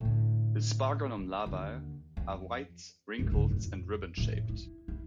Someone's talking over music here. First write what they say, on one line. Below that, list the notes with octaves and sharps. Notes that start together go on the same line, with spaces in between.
The sparganum larvae are white, wrinkled, and ribbon-shaped.
A2 D3
D#2
D#2 D3
F2
F#2 A3
G2 C#3
A1 F2
F2 A2
E4
E4